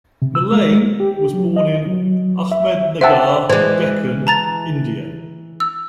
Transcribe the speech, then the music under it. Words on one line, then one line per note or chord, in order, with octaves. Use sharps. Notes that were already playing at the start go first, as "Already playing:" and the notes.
Mullane was born in Ahmednagar, Deccan, India.
C3
E6
G#3
G4
F#3
D#5
F#3
E5
C5 E5 F#5 G5 A5 E6
E3 G#3 C5 D5
A5 A#5 A6
E6